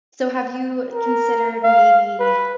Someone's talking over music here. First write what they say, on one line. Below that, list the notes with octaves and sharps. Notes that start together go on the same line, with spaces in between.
so, have you considered, maybe,
A#4
F5
B4